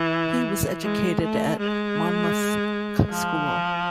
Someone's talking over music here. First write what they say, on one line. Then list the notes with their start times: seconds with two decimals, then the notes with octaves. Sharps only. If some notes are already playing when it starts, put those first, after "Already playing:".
He was educated at Monmouth School.
Already playing: E3
0.83 G#3
1.21 A3
1.59 G#3
3.11 F3